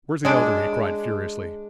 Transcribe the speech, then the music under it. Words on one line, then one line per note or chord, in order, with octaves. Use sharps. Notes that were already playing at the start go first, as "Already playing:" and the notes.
"Where's the Elder?" he cried furiously.
G#3 D4